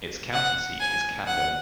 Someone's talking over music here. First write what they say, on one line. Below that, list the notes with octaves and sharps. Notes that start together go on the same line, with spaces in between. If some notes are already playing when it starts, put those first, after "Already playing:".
Its county seat is Cando.
F#5
G#5
F#5